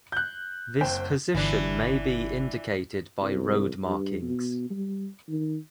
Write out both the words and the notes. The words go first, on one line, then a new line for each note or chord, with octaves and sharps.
This position may be indicated by road markings.
F#6 G6
F#1 C4 G5
G1 E3 D4
C2
G2
B2
G3
D#3